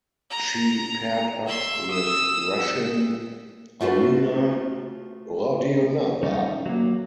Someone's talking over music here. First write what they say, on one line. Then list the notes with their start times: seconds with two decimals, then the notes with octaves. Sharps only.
She paired-up with Russian Arina Rodionova.
0.31 A#5
1.47 E5 C6
1.91 D#6 E6
3.80 A3 F4 F#4 A4 B4
6.23 G3 A3 C#4 D#4
6.66 F#3 A#3